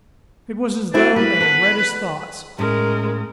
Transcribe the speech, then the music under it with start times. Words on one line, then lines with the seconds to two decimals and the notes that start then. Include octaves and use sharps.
It was as though they had read his thoughts.
0.94 C4 D4 E4 F#4
1.16 G3 B4
1.41 B3 A4 F#5
2.58 A2 G#3 C#4 A#4